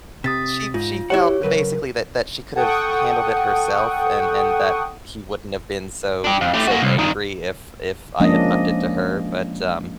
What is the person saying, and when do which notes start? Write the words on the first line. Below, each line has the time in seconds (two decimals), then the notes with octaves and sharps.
She she felt basically that that she could've handled it herself and and that he wouldn't have been so so angry if if I had left it to her, but, um,
0.24 C3 D#6 A6 B6
0.74 G#2 F4
1.10 E4 F#4 G4 C#5 F#5
1.43 C#3 F#3 A#4 B4
2.55 A4 F#5 G5 C#6 D#6
6.24 D4 G4
6.41 F2
6.54 A3 G4
6.68 A#3 F#4
6.81 C2
6.98 G2 D#3
8.20 F3 G#3 A#3 C#4 D4 D#5